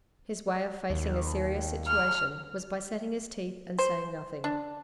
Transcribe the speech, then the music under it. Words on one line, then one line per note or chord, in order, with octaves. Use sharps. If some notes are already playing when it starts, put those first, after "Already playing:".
His way of facing a serious situation was by setting his teeth and saying nothing.
D#2
F6
C5
D4